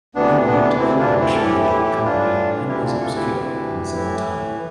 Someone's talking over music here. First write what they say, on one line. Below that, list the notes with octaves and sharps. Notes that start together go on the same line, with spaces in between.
He worked for a Russian railway company and was obscure in his own time.
D2 C3 E3 B3 D4
B3 D4
D2 C3 E3 C4 E4
D4 F4
C4 E4
A4
A2 E3 E4 G4
E4 G4
E4 G4
E4
A2 E3 D4 F4
D2 C3 E3 E4 G4
D4 F4
F4 A4
E4 G4
D2 C3 E3
A2 E3